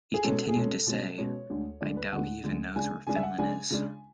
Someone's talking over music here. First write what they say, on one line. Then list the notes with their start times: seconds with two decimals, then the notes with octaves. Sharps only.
He continued to say: I doubt he even knows where Finland is.
0.14 G#4
0.24 B2 G#3 C#4 A4
0.49 G#4
0.55 B2 G#3 C#4 A4
0.87 B2 G#3 C#4
1.18 B2 G#3 C#4 C#5
1.50 D2 D3 G#3
1.81 D2 D3 G#3 D5
1.97 B4
2.12 D2 D3 G#3 F#5
2.44 D2 D3 G#3
2.76 C#3 G#3 D4 G#5
3.07 C#3 G#3 D4 G#5
3.16 E5
3.23 F#5
3.38 C#3 G#3 D4 G#5
3.71 C#3 G#3 D4